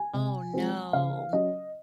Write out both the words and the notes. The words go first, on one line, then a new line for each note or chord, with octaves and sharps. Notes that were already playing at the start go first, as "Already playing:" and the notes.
Oh, no.
Already playing: G#5
C3
F3 G#3 C4
C#3 F5
F#3 C#4 D#5